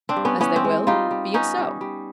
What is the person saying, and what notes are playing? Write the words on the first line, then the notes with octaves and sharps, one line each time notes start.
As they will. Be it so.
C4 D4
G2
B3 C#4
E3 B3 C#4
C4
G#3
G3 D#4 F4
G3
B3 C#4 D#4
G3
G3